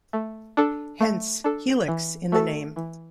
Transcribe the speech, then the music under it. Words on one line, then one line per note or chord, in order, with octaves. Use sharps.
Hence "helix" in the name.
A3
D4 A4
A3
D4 A4
E3
A3 F#4 A4
E3